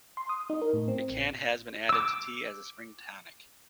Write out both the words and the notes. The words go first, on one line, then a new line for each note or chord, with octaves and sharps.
It can has been added to tea as a spring tonic.
C6
D#6
D#4
A#4
A2
C4
A1
D6 E6